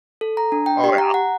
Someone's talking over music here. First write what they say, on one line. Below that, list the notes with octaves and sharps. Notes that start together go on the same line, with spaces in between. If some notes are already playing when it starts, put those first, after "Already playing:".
Oh, yeah.
A4
A#5
D4
G5
G4
A#5
F#5